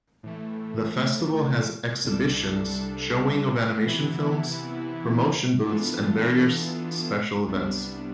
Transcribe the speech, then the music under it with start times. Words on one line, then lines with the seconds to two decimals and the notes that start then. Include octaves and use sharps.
The festival has exhibitions, showing of animation films, promotion booths and various special events.
0.23 A2 E3 A3
2.04 C2 C3 G3 D4 A4
3.85 C3 E3 B3 E4
5.66 E3 B3 D4 F4 A4
7.46 C2 C3 G3 B3 D4